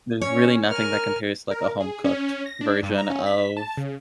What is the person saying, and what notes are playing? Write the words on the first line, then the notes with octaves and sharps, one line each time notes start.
there's really nothing that compares to, like, a home cooked version of
C#4 C#5
A#4 G#5 F6
A#4
G#4
C#4
A#6
D4
G2
A#5
C#4
B6
A5
C#3